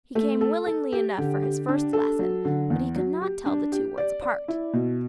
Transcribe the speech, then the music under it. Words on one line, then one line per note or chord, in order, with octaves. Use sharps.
He came willingly enough for his first lesson, but he could not tell the two words apart.
A3
A4
A4
G4
D3
G4
D4
A4
F#3
D3
E2
F#3
G4
D4
G4
D5
D5
E4
B2